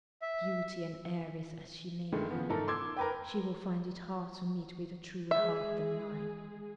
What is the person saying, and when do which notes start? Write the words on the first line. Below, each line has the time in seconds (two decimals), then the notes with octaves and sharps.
Beauty and heiress as she may be, she will find it hard to meet with a truer heart than mine.
0.22 E5
2.12 G2 D#3 G#3 A3
2.30 C#3 F3 B3
2.50 G#2 A3 A4 A#4
2.68 C6 D6 E6 G#6
2.97 A#4 B4 G5
5.31 G#3 G#4 E5